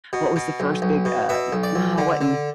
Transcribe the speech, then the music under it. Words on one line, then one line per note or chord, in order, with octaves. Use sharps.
what was the first big, uh no, it wasn't
B2
B2
B1
B1
B2
B2 E5
B1
D5
B1
D3
D3